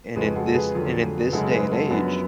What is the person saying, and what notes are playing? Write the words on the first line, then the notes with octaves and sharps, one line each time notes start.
And in this and in this day and age,
F2 C#3 G#3 G#4 B4
F#4 A4
A4
G#4 B4
F2 D3 F#3
B4
F#2 C#3 G#3 F#4 A4
G#4 B4
F#4 A4
F#2 F3 B3 D4 F#4
C#4